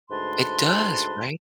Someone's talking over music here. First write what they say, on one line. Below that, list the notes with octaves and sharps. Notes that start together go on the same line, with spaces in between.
It does, right?
D2 G#2 B4 A5 C6